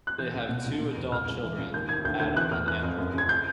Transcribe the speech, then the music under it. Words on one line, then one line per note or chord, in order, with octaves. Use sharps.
They have two adult children, Adam and Andrew.
F#6
E3 G6
C#2
B2
C2
B2
E2
C#2 F6
C#2
E3
C#2
D#2 G6
D#2 G#6
D2 G6
D2 G6
E3 F#6
E2 F6
E3 F#6
F2
F#2
C#3 G#6
G6